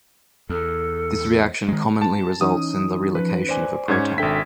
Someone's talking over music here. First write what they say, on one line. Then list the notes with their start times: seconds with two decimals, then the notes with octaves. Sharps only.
This reaction commonly results in the relocation of a proton.
0.50 E2 A4
1.68 D#3 G#3
2.02 A5
2.41 E3 C#4 D#4 D#6
3.15 F3 B4
3.49 C5 D5 G#5
3.88 G#2 C#4 G#6
4.18 G#1 D4 A4 E5 G5 B6